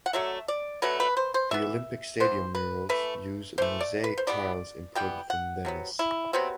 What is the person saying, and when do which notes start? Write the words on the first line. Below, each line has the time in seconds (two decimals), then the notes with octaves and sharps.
The Olympic Stadium murals use mosaic tiles imported from Venice.
0.06 F#5
0.13 D3 F#3 A3 E5
0.48 D5
0.82 D3 F#3 A3 B4
1.00 B4
1.17 C5
1.34 C5
1.51 E3 B3 E5
2.20 E3 B3 C5
2.55 B4
2.89 E3 A3 B4
3.58 E3 A3 C5
3.81 D5
4.04 B4
4.18 C5
4.27 E3 G3 B3 D5
4.95 E3 G3 B3 G5
5.30 F#5
5.65 C3 F#3 B3
5.99 E4
6.33 C3 F#3 B3 C4